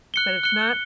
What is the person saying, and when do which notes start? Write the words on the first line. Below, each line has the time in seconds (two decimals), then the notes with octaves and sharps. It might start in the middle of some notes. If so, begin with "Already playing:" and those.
but it's not
0.14 F#6 C#7 G7
0.44 F#6 C#7 G7